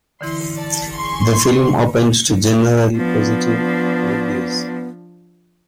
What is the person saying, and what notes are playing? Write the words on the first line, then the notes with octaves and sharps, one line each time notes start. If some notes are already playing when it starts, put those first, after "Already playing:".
The film opened to generally positive reviews.
D3 E3 E4 C6
D5 A5
G#4 C6 C#6
D3
F3 B3 D4